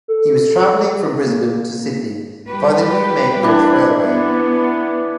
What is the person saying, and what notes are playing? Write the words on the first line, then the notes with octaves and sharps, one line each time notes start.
He was travelling from Brisbane to Sydney, via the new Main North railway.
A4
A#3
G3 G4 B4
E3 D4
B3